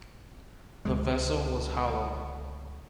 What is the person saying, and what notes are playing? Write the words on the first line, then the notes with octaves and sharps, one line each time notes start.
The vessel was hollow.
C#2 D3 G#3